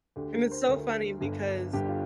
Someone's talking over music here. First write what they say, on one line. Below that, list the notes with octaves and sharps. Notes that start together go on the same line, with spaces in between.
And it's so funny because
D2 D3 G4
A#4
C5
D2 D3 A#4
G1 G2 D3
G1 G2 D3 G4
F4